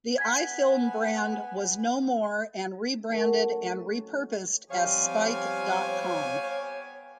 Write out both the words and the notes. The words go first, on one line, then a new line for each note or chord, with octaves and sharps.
The iFilm brand was no more and re-branded and re-purposed as Spike dot com.
B3 G#5 G#6 B6
D#3 F#3 A3 C#4
F3 G3 B3 C4 G4 C#5 F5 G#5